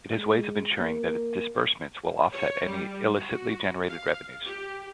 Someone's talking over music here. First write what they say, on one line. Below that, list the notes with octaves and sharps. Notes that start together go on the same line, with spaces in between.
It has ways of ensuring that its disbursements will offset any illicitly-generated revenues.
G#3
A#3
C#5
G3
F#4
F5
G4